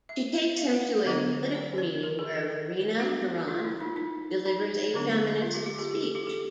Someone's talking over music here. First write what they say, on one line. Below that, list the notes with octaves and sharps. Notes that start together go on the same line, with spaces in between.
She takes him to a political meeting where Verena Tarrant delivers a feminist speech.
E5
F5
F#5
D3 F#3 B3 D4 D#5
D5
C#5
A#4
G#4
A4
G3 B3 D4 F#4
F4
E4
D#4
D#4
D#4
D3 F#3 B3 D4
F4
G4
G4
G#4
G#4
A4
G4
A4